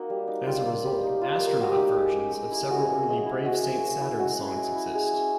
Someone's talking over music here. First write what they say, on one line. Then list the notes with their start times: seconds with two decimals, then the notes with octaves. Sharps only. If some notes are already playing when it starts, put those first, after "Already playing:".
As a result, "Astronaut Versions" of several early Brave Saint Saturn songs exist.
Already playing: A#3 D#4 F#4
0.10 G3
0.28 D#4
0.46 G3 F4
0.66 A#3
0.85 G3
1.03 D#4
1.22 G3 F4
1.39 A#3
1.47 A#4
1.59 G3 F#4
1.72 G4
1.77 D#4
1.96 G#3
2.15 C#4
2.34 G#3
2.51 E4
2.70 G#3 F#4
2.89 C#4
3.08 G#3
3.26 E4
3.46 G#3 F#4
3.63 C#4
3.82 G#3
4.01 E4
4.19 G#3 F#4
4.39 C#4
4.57 G#3
4.75 E4
4.95 G#3 G#4
5.13 C#4